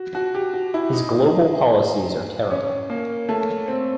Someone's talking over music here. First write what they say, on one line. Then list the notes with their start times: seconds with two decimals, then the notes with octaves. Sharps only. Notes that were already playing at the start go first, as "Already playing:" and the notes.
His global policies are terrible.
Already playing: F#4
0.15 F#4
0.35 G4
0.53 F#4
0.74 E4
0.93 D#4
2.51 C#4
2.90 A#3
3.29 A3
3.68 C4